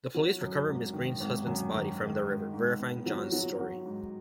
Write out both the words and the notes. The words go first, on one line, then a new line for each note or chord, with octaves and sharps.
The police recover Mrs. Green's husband's body from the river, verifying John's story.
F#3
F#2
G#1
D#3
G#1
F#2
D#3
D#3
G#2
G#2
B3
F#3
F#3
F#3
G#2